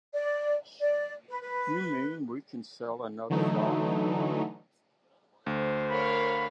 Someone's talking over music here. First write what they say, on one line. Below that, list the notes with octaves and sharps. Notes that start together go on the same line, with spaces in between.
You mean we can sell another bond?
D5
D5
B4
B4
D3 E3 F#3 A3 D#4
D2 C5
A#4 C#5 F5 B5